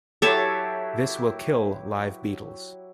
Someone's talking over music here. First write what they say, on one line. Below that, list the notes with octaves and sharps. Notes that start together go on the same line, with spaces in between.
This will kill live beetles.
F#3 E4 G4 A4 C#5 A5